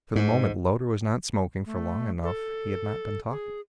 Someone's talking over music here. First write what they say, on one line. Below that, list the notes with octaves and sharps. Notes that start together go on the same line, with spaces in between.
For the moment Loder was not smoking; for long enough he had not been talking.
G#2
A3
A4
G#4